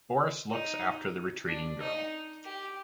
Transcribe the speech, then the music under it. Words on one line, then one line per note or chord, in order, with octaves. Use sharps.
Boris looks after the retreating girl.
D#4
D4
D#4
G4